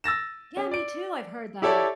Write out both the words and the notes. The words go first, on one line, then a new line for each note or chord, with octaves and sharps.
Yeah, me too, I've heard that.
E6 A6 A#6 E7
C#4
D5 D7
E4 G4 A4 C#5 D5